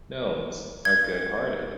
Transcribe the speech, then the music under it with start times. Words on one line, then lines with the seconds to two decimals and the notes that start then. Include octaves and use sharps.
Gnomes are good-hearted.
0.85 G#6